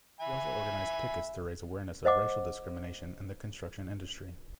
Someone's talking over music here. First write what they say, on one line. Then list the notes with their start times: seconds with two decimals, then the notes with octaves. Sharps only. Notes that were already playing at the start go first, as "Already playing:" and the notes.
He also organized pickets to raise awareness of racial discrimination in the construction industry.
0.20 E5 G#5 B5
2.05 C5 D#5 F#5 D6